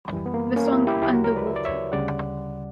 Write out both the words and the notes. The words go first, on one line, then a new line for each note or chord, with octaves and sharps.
The song Underwater!
F#2 E3 G3
B3
A#3
A#3 C#4
A#4
E4 G4
E4 G4
D2 C#3 F#3 E4 G4
F#4 A#4
A#4 C#5
B4 D5
E5
D5
C#5 E5
D2 C#3 G3 D5 F#5